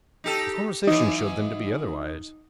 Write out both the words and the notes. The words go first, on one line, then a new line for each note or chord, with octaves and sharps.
His conversation showed them to be otherwise.
D#4 G4 A4
E3 F#3 D#4